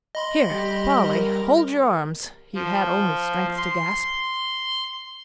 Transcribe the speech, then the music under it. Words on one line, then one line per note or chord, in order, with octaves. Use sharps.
"Here, Polly, hold your arms," he had only strength to gasp.
D#5 B5 C6
G3 G4
A#4
F3
C6